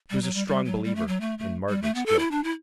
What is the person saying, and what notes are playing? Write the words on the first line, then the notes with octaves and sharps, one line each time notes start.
She was a strong believer in Margaret's guilt.
G3
F#3
G3
G3
F#3
G3
A3
F#3
A3
A3
G3
A3
B3
A4
E4
D4
E4